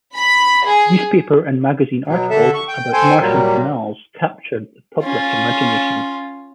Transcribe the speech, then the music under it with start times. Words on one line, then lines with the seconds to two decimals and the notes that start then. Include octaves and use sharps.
Newspaper and magazine articles about Martian canals captured the public imagination.
0.16 B5
0.67 G#4
2.07 B2 F#3
2.30 D3 A4 E5
2.54 C#6
2.68 G5
2.93 A4 C5 G5 G#5
3.20 A#2 F#3 G3 A#3
5.03 C#4 F4